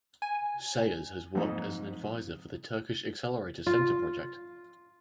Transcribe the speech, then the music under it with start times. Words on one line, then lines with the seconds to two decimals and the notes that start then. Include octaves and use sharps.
Sayers has worked as an advisor for the Turkish Accelerator Center Project.
0.22 G#5
1.35 F2 G#2 D#4
3.67 F4